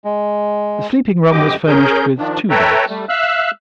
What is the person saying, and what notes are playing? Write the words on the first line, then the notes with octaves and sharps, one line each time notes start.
The sleeping-room was furnished with two beds.
G#3
F#2 D3 E3 G4 D#5 D6
C#4 G#4 A#4 G6
D#3 F3 D4
A4 B4 C#5 E5 G5 A#5
G3 A3
E5 F5 E6 F#6